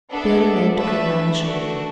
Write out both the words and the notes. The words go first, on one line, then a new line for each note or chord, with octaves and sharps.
Beardy Ned took him by the shoulder.
B3 D4 A4 E5
A3 D4 B4 E5
A3 D4 F#4